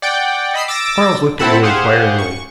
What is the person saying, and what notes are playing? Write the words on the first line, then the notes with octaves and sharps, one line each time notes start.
Quarles looked at me inquiringly.
D5 F#5 G5
D#5 B5 E6 C7
D6 E6 A6 A#6
C4 E4 A4 F#5 A5 B5
G4 G#4 C5 F5 F#5
C#6